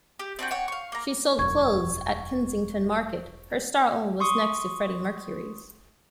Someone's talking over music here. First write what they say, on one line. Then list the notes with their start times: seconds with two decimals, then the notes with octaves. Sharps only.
She sold clothes at Kensington Market; her stall was next to Freddie Mercury's.
0.19 G4
0.39 C4 D4 F#4 G5
0.51 C#5 F#5 G5
0.68 F5 C#6
0.92 A#3 A#5
1.39 E1 F#2 C#6 G#6
4.20 C6 C#6 D#6